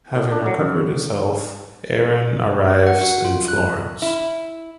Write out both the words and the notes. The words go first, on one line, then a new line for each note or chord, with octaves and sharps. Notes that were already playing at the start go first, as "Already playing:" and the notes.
Having recovered his health, Aaron arrives in Florence.
A2
D4
F#3
F#2
F#5
F#4
F4
F#6
E4